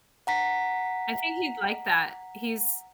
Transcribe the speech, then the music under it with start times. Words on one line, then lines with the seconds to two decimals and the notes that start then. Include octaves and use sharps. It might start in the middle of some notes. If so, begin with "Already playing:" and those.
I think he'd like that. He's
0.27 F#5 A#5 B6